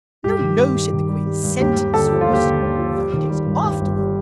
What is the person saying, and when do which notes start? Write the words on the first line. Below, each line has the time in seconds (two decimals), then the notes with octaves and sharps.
'No, no!' said the Queen. 'Sentence first--verdict afterwards.'
0.24 G2 G4
0.41 D#3
0.58 G2
0.75 G2
0.93 D#3
1.09 G3
1.26 G3
1.44 G2
1.60 D#2 G4
1.77 D#2
1.94 D3 A4
2.08 F3 G4
2.21 F4
2.29 D#2 G4
2.45 D3
2.62 D#2
2.79 F3
2.96 G3
3.13 D#3
3.30 G3
3.46 G2
3.63 G2 G4
3.81 G1
3.97 G3